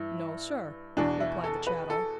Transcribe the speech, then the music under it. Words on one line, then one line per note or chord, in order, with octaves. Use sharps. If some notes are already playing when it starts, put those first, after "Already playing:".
"No, sir," replied the chattel.
Already playing: G2 E3 E4
E2 B2 D4
E4
A4
B4
A4